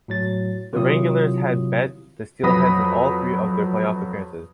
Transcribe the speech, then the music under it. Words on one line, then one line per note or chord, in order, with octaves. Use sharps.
The Wranglers had met the Steelheads in all three of their playoff appearances.
A2 F#3 A6
C3 D#3 F#3 E4 F4 D#6
F2 F#3 B4 B5 D#6 A#6